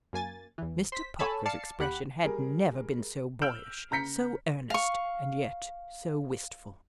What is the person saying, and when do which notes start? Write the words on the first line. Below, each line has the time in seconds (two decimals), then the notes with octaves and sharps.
Mr. Parker's expression had never been so boyish, so earnest, and yet so wistful.
0.13 F#2 A#3 G#5 A6
0.58 E2 E3
0.92 C5 B6
1.19 A4 C#5 G#5 A5 B5 E6
1.46 D5 F5 A5 A6 C7 C#7
1.79 D#2 G4 F#5 B5 F#6
2.25 G3 G#4 A#4
3.42 E6 F6 G6 D7 E7 F#7
3.91 C#3 A#5 G6 B6 C#7
4.70 F5 C#6